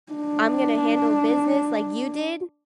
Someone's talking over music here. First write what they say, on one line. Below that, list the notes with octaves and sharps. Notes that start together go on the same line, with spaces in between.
I'm gonna handle business like you did,
D4